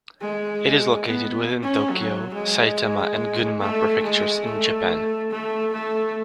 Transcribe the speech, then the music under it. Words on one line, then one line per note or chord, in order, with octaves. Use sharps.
It is located within Tokyo, Saitama, and Gunma Prefectures in Japan.
G#3
B3
C#4
F#3
G#3
A3
G#3
A3
A3
A3